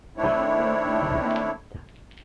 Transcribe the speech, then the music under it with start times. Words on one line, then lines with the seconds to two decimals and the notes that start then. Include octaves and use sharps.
He will be hanged!
0.17 D#3 A3 C4 D4 E4 C#5